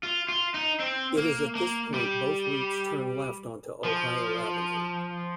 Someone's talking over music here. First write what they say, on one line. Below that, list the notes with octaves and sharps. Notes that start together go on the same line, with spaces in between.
It is at this point both routes turn left onto Ohio Avenue.
F4
F4
D#4
C4
A#3
A#3
G3
F3